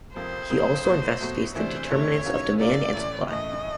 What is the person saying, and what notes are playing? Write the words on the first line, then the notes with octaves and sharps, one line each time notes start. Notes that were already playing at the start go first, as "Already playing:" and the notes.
He also investigates the determinants of demand and supply.
F2 C3 F3 A#3 C5
F2 C3 F3 A#3
B2 F#3 A3
B2 F#3 A3
D2 C3 E3 A3 D4 C5
D2 C3 E3 A3 D4 C#5
C3 D#3 F#3 A#3 C#4
C3 D#3 F#3 A#3 C#4 D5
A2 E3 A3 C#4
A2 E3 A3 C#4 D#5